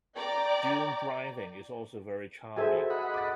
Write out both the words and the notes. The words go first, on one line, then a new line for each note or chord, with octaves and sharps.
Dune driving is also very charming.
D5 G5 A#5 D6
F#4 G#4 A4 C5 E5 G#5
D#5 F#5 B5
D6 A6